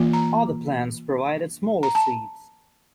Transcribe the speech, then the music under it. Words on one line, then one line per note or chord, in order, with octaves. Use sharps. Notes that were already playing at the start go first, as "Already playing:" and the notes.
Other plants provided smaller seeds.
Already playing: E3 A#3 F4
A#5
A#5
A5